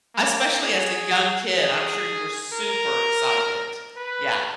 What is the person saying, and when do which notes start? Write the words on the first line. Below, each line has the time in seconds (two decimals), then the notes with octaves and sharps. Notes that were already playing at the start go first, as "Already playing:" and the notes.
Especially as a young kid, I'm sure you were super excited. Yeah.
0.14 A#3
0.62 G#4
1.57 G#4
2.53 A#4
3.96 B4